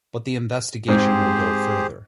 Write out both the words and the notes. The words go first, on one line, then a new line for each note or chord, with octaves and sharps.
But the investigation will go further.
G#2 C4 G4 G#4 C5